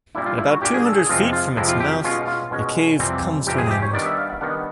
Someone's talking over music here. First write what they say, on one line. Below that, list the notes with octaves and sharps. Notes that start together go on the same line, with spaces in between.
At about two hundred feet from its mouth, the cave comes to an end.
A#2 G3 A#3 D4 E4
F4
E4
F#4
A#2 G3 A#3 D4 G4
G#4
A4
G#4
F2 C3 F3 G#3 C4 F4
F4
F2 C3 F3 G#3 C4 E4
F4
G4
B2 G#3 C#4 F4
F4
B2 G#3 C#4
F2 C3 E3 G3 C4
F2 C3 E3 G3 C4 G4
G#4
G4
C#5
D#3 G3 B3 D4 D5
E5
F5
F#5
D#3 G3 B3 D4 F#5